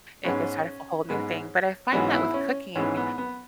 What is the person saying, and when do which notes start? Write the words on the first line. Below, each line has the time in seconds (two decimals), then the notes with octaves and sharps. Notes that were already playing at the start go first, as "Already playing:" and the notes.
it can start off a whole new thing, but I find that with cooking,
0.25 G#2 G#3 B3 C#4
1.09 G#2 G#3 B3
1.92 G#2 E3 G#3 B3 C#4 F#4
2.13 B3 E4
2.34 C#4
2.75 G#2 E3 G#3 B3 C#4
2.97 B3
3.18 B3